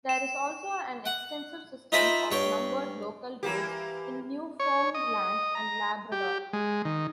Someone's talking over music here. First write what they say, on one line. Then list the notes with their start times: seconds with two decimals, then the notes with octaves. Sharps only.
There is also an extensive system of numbered local roads in Newfoundland and Labrador.
0.09 E7
1.06 F#5
1.92 D#4 F4 A#4 C5 E5 B5
2.31 G2 C#5 G5
3.43 E3 A#3 G4
4.60 C#5
4.94 D#5
5.55 A#5
6.12 G4
6.53 G#3
6.85 D#3